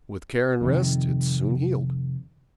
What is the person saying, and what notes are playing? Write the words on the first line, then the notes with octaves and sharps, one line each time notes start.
With care and rest, it soon healed.
F2 C3 D#3